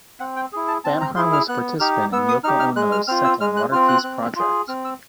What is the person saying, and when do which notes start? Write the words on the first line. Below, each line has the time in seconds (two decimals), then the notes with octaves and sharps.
Banhart was a participant in Yoko Ono's second "Water Piece" project.
0.20 C4 F#5
0.36 G5
0.52 E4 G#4
0.68 A5
0.84 C4 A5
1.01 A#5
1.16 E4 G#4 C6
1.33 F6
1.49 B3 F#6
1.80 D#4 G4 F6
2.12 B3 E6
2.28 D#6
2.44 D#4 F6
2.48 G4
2.60 F6
2.76 G#3 F#6
2.92 F6
3.08 C4 F4 F6
3.24 E6
3.41 G#3 F6
3.57 F#6
3.72 C4 F4 F6
3.88 F#6
4.04 C4
4.36 F4 G#4
4.68 C4 F6
4.85 E6